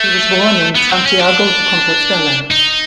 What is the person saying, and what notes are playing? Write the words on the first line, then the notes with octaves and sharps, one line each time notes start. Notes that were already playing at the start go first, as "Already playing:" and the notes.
He was born in Santiago de Compostela.
Already playing: A3
B3
C4
C#4
D4
D#4